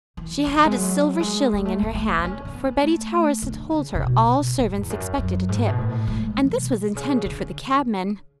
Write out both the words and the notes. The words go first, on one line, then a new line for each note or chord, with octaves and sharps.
She had a silver shilling in her hand, for Betty Towers had told her all servants expected a tip, and this was intended for the cabman.
E3
E3
G#3
F#3
G#3
G#3
A3
A3
B3
B3
C#4
C#4
B3
A3
D3
C#3
C#3
B2
G#2
E2
F#2
F#2
G#2
B2
A2
G#3
B2
C#3
D3